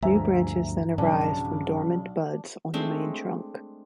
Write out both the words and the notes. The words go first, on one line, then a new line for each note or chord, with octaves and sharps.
New branches then arise from dormant buds on the main trunk.
D2 G2 F3 E5 G#5 A#5
B1 C#3 D4
G#3 A3 C4 D4